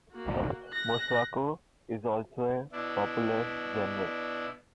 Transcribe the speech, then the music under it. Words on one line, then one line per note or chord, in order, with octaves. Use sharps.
Motswako is also a popular genre.
A#3 F#4
F#6 A#6
B2 D4 E4